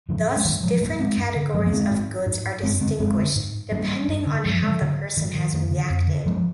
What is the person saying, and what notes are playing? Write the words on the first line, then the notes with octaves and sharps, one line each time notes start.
Thus different categories of goods are distinguished, depending on how the person has reacted.
G#2 D3 F3
G#3
G#2 D#3 G3
F3 G#3
G#2 G3 A#3
G#3 C4
G2
D3
G2 F3 G#3
A#3
D3 G#3 C4
G#2
G#2
G2 G#3 C4
D3 G#3 C4
G2 G#3 C4
D3
G#2
G#2 G3 A#3
G2
D3
G2 F3 G#3
D3 F3 G#3
G#2 D3
G#2 D#3
D#3
F2
D3
F2
D3
G2 F3 G#3